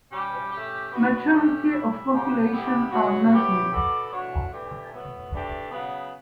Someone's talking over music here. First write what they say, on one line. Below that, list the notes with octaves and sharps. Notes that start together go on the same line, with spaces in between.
Majority of population are Muslims.
G3 C#4 G4
A3 C#4 G4
B3 D4 F#4 B4
A3 C#4 G4
G3 C#4 E4
C#3 G3 C#4 G4
G3 B3 E4 G4
C#3 F#3 B3 F#4
B3 E4 G4 C#5
B3 F#4 A4 D5
E3 A3 D4 F#4 C#5
E3 A3 D4 G4
A2 F#3 B3
E3 A3 D4 G4
C#3 F#3 B3